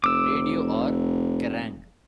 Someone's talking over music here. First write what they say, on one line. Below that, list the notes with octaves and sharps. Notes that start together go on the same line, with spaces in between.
Radio or Kerrang!
F1 D6 E6